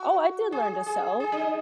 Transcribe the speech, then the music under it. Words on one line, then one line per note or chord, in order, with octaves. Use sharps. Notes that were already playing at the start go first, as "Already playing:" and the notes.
"Oh, I did learn to sew."
Already playing: F#4
G#4
G#4
G#4
D4
D#4